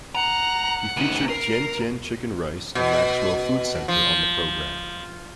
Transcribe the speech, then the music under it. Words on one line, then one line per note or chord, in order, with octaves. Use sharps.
He featured Tian Tian Chicken Rice and Maxwell Food Centre on the programme.
F#5 A#5
D2 D#4
A#4 C7
B2
F3